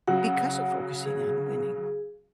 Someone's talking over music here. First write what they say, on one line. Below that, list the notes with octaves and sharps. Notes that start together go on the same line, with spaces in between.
because of focusing on winning
C#3 F#3 F#4 F#5
G#4